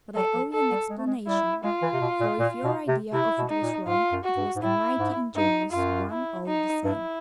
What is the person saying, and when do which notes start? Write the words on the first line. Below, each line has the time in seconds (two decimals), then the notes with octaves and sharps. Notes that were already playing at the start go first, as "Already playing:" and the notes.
But I owe you an explanation, for if your idea of it was wrong, it was a mighty ingenious one all the same.
0.15 F#3 A4
0.34 F3
0.53 A4
0.71 G3
0.89 G#3
0.98 A3
1.07 G#3
1.27 G3 E4
1.64 G#3 F4
1.82 E3
1.93 C3
2.01 B2
2.20 A#2
2.39 A#2
2.64 B2
2.88 C3
3.13 C3 E4
3.38 B2
3.50 D#4
3.62 A#2
3.87 G#2 F4
4.12 F#2
4.25 F#4
4.37 G2
4.56 G#2
4.62 A2 E4
4.99 G#2
5.36 G2 D#4
5.72 F#2 F4
6.10 E4
6.47 D#4
6.84 G2 E4